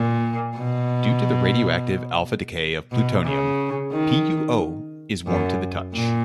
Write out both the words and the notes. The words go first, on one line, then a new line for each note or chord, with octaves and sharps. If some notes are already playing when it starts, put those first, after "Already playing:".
Due to the radioactive alpha decay of plutonium, PuO is warm to the touch.
Already playing: A#2
B2
B2
C#3
D#3
F#2
A#2